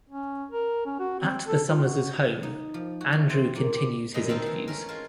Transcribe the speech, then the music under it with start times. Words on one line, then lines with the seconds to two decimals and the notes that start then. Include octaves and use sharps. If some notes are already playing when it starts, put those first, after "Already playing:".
At the Summers' home, Andrew continues his interviews.
0.10 C#4
0.51 A#4
0.85 C#4
0.99 F#4
1.20 C4
1.48 A4
1.68 F4
1.83 F#4
2.43 D#4
2.74 F3
3.01 F#4
3.13 E2
3.30 C4
3.55 A#2
3.73 G4
4.14 F#2 A#2 E3 D#5
4.29 D#3 C4 D#4 F4 A4
4.46 E3
4.68 A3 C#4 A#4
4.89 G#3 F4